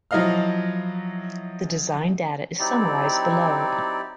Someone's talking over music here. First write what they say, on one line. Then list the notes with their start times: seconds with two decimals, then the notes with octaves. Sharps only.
The design data is summarized below.
0.11 F3 F#3 E4 D#5 F5 F6
2.59 F#3 C4 D#4 E4 G4 D5